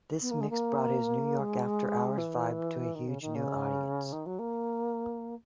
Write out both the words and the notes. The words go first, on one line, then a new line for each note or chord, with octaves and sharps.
This mix brought his New York afterhours vibe to a huge new audience.
B3
A#3
G#3
A#3
G#3
E3
D#3
C#3
D#3
C#3
D#3
F#3
A#3